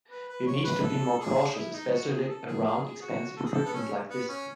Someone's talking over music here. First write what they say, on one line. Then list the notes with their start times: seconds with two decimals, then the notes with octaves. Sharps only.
You need to be more cautious, especially around expensive equipment like this.
0.10 B4
0.29 B4
0.46 C#5
0.64 B4
0.83 A4
1.20 G#4
1.56 E4
1.73 D#4
1.92 F#4
2.10 G#4
2.29 A4
2.47 G#4
2.65 G#4
2.83 G#4
3.02 F#4
3.37 A4
3.45 G#4
3.53 A4
3.65 B3
3.74 C#4
4.10 B3
4.29 C#4